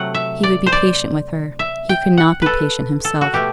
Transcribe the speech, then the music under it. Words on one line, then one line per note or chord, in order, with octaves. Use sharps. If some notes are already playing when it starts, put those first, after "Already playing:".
He would be patient with her; he could not be patient himself.
Already playing: C3 F#3 A3 F#5
E5
D5
C5
D5
E5
G5
F#5
A4 B4
A4
F#4
B2 A3 G4